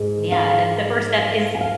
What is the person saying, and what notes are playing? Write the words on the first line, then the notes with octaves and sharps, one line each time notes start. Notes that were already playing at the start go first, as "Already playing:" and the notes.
Yeah, and if the first step is
Already playing: G#2 G#3
F5
F5
G#5
F5